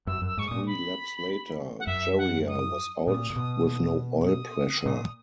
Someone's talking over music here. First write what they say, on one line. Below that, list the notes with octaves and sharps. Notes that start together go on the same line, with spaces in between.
Three laps later, Jarier was out with no oil pressure.
F#2 E6
F#2
E6
G#2 C#6
A#2 D#6
B5
F#5
F#2 E5
F#5
D#6
A#2 D#6
A#2
B2
D#6
A#2